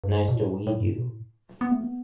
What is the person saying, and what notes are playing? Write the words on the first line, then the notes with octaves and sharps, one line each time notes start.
Nice to "weed" you!
G2
B2
A2
A2
G2
A2
B2
A2
B3
A3
B3